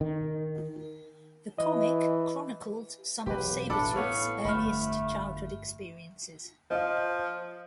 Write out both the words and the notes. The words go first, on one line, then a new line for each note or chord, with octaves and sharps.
The comic chronicled some of Sabretooth's earliest childhood experiences.
D#3
E3 D#5
E1 B1 G4 B4
A1 F2 D4 A4 B5 D6
A2 B3 C#5 F5 C#6
G1 F2 A3 B5 F6
F3 D#5 F5